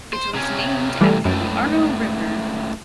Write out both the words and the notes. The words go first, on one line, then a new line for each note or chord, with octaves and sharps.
It was named after the Arno river.
C5
C3 C#4
E3 G3 A3
C#2 F#2 A2